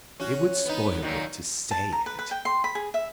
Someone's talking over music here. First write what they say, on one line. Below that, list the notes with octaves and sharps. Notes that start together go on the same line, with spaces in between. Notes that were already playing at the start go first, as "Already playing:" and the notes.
"It would spoil it to say it."
C#4 F#4
B3 D#4
A#2 D#3 F#3
A5
A#5
B4
B4
G5
C6
B5
G#4
E5